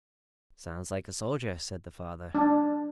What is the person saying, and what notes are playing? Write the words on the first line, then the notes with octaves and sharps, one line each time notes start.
"Sounds like a soldier," said the father.
D4